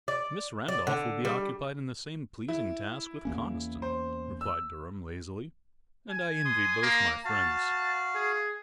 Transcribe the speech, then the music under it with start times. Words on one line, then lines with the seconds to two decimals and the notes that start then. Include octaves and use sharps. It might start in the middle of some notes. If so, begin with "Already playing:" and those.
"Miss Randolph will be occupied in the same pleasing task with Conniston," replied Durham, lazily, "and I envy both my friends."
0.08 D5
0.68 D5
0.87 D3
1.25 G3
2.48 E4
3.25 E2 A#3 C#4
3.82 C5
4.41 E6
6.11 G#5
6.45 C6 D#6
6.82 A#3
7.25 F#4 F5 A5
8.15 G#4